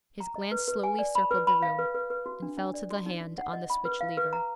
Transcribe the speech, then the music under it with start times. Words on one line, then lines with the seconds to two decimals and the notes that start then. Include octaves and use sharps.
His glance slowly circled the room, and fell to the hand on the switch-lever.
0.20 A#5
0.36 D#5
0.52 B4
0.68 B4
0.83 G#5
0.99 D5
1.15 B5
1.31 B4
1.47 B5
1.62 F5
1.79 B4
1.94 B4
2.10 B4
2.26 F#4
2.42 D4
2.57 D4
2.74 D5
2.90 F#4
3.06 D#4
3.21 D#4
3.38 F#5
3.53 D#5
3.70 B5
3.85 B4
4.01 F5
4.17 B4
4.33 A#5